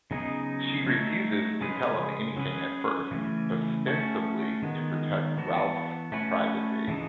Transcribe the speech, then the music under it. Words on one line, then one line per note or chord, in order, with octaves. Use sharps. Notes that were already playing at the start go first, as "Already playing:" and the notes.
She refuses to tell him anything at first, ostensibly to protect Ralph's privacy.
C#3 F#3 B3 D#4 G#4
F#3 A3 D#4 A4 C#5
C#3 G#3 C#4 G#4 B4
F#3 C#4 G#4 B4
C#3 E3 A3 C#4
A3 C#4 F#4
D#3 G#3 B3
E3 B3 F#4 A4
A3 C#4 F#4 B4
C#3 E3 G#3 D#4 A4